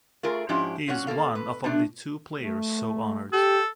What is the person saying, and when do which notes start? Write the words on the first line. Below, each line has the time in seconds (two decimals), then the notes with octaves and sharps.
He is one of only two players so honored.
0.23 A3 F4 G#4 A#4
0.49 G#2 F3 C#4 D4 E4 G4
0.88 A#2 F#3 C#4 F#5
1.07 A#3 C4 A4 F5
1.35 B4
1.64 C3 A3 D4
2.39 A3
3.33 G4 A4